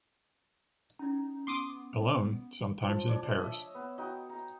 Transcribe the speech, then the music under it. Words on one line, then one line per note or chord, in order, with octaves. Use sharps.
Alone, sometimes in pairs.
C#4 D#4 E4 D5
B3 C6 D6 D#6
F3
D4 C#5 D5
D#5 E5
B3
D#4 F#4 G5
A#5